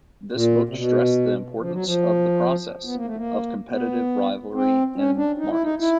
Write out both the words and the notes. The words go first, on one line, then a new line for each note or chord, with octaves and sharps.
This book stressed the importance of the process of competitive rivalry in markets.
A#2
C3
B2
F3
F#3
F3
B3
A#3
A3
A#3
B3
C4
C#4
D4
D#4
E4
D#4
E4